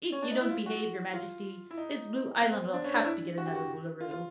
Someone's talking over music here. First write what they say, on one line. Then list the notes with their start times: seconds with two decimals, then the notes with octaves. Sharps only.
"If you don't behave, your Majesty, this Blue Island'll have to get another Boolooroo."
0.12 C#4
0.22 D4
0.31 D#4
0.41 E4
0.50 F4
0.66 F#4
1.13 F4
1.71 E4
1.78 D#4
2.42 B3
2.52 C4
2.73 D4
2.84 C#4
2.94 D4
3.05 E4
3.38 F#4
3.46 G4
3.55 F#4
4.01 F4
4.11 F4